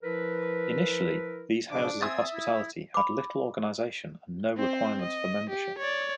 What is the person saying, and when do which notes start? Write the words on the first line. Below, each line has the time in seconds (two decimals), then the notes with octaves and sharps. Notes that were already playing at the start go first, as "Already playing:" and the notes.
Initially, these houses of hospitality had little organization and no requirements for membership.
0.03 F3 E4 A#4 B4
1.71 G#2 C#3 F3 D4 D6
2.01 C4 E5 G#5 D#6 E6 A6
2.33 E4
2.94 B5 D6
4.57 C4 C5
5.01 D#5
5.49 G4
5.78 C#5 D5